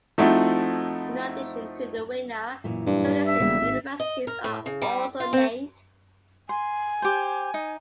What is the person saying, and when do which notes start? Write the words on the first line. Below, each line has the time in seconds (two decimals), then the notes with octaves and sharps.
In addition to the winner, shortlisted universities are also named.
0.18 F3 A3 C4 D#4 E4 F#4
2.64 F#2 A#2 E3
2.86 G2
3.25 E5
3.40 E1 C#3 G3 A#3
3.61 G#1 D2 G#2
4.00 D#5
4.27 A#4
4.44 A2
4.66 C#3
4.82 G3
5.20 F4
5.33 C4
6.49 G#5 C6
7.02 G4 C5
7.54 D#4